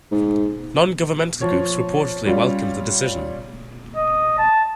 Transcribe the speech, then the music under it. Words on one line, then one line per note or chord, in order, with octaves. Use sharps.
Non-governmental groups reportedly welcomed the decision.
G#2
F3 C#5
G3 C#4 F4
D#5
A5